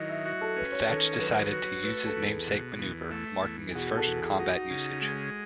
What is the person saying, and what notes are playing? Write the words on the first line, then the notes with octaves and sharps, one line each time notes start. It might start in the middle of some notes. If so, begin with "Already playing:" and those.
Thach decided to use his namesake maneuver, marking its first combat usage.
Already playing: D#3 F#3 E4 D#5
E5
F#4 E5
A4
C#4 B4
C#5
D#3 A4
F#3 B4
F#4
A3 B4
A4
E2
G#4
B2
E2
A3
E2
G#4
B2 F#4
A4
E2
G#4
D#4 F#4
C#3
G#3